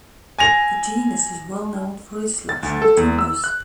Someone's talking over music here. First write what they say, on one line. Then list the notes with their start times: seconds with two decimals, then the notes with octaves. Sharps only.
The genus is well known for its luxury timbers.
0.39 G#5 A#6 F7
2.49 A6
2.63 D2
2.82 A4
2.97 E2
3.19 E6
3.44 F#6